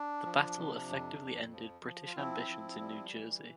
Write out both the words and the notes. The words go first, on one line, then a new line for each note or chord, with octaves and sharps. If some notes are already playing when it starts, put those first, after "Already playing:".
The battle effectively ended British ambitions in New Jersey.
Already playing: D4
F3
C3
F2
F2
F3
F3
F4
F3 C4 E4
F3
G3
E3